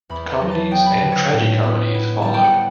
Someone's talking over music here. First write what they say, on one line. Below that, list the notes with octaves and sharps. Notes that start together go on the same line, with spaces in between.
Comedies and tragi-comedies followed.
E2 B5
A5
F#3
A5
B3 G5
B5
A5
D3
C#5
A2
B3
E4
G3 A5
G5
F#5